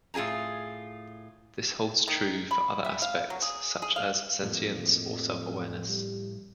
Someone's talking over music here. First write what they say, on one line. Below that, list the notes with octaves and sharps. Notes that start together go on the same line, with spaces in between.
This holds true for other aspects, such as sentience or self-awareness.
A2 F4 G#4 G#5 A#5
D#3
B5
E5
F5
F#3
G#4
G#4
F5
F2 A2 F3 A#3
G3